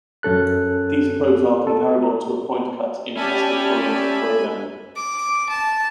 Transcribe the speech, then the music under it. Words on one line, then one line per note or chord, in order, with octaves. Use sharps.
These probes are comparable to a pointcut in aspect-oriented programming.
F#2 C#4 A4 F#6
A4
C#4 G4 D5 E5 G#5 A5 B5
D6
A5